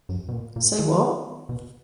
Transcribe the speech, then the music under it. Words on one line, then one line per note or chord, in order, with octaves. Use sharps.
Say what?
F#2
B2
A#2
A#2
D#3
B2